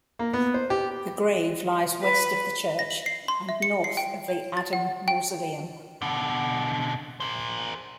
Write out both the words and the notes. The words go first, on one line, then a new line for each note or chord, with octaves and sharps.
The grave lies west of the church and north of the Adam mausoleum.
A#3
B3
C5
G4
B4
A#6
F#7
C7
C6
E5
C#7
C7
G5
C#5
A6
F#5
G5
B2 D3
A#4 C5